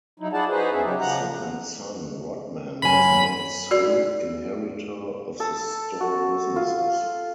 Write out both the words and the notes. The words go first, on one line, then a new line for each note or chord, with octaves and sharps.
Second son Rodman was made sole inheritor of the store businesses.
F#3 D#4 E4
E4 F4 G#4 D5 F#5 A5
D#4 F#4 G#4 B4 C5
E2 C#4 E4 G#4 E5
C#3 F#3 D#4 G4
C#3 F3 F#5 A#5
F#2 C#4 G#5 B5
F#4 D5
A4
F#4
F4